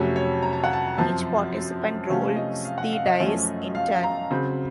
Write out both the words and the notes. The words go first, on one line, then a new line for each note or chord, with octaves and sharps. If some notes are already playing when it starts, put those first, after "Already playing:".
Each participant rolls the dice in turn.
Already playing: F2 C3 F#3 A3 C#4 C#5
C#5
A#5
A5
F#5
A5
F#2 F3 C4 A5
C3 F3 A3 C#4 F5
D#5
F5
F#5
F5
D#5
F#2 F3 A3 C#4
F5
F5
A#5
C#3 F#3 C4